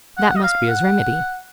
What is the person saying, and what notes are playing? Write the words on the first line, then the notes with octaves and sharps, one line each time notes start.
That must be his remedy.
F#5
D#5
F5
F#5